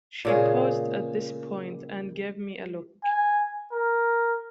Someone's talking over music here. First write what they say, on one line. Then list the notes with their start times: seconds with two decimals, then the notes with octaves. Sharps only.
She paused at this point and gave me a look.
0.25 A#2 C#3 G#4
3.03 G#5
3.72 A#4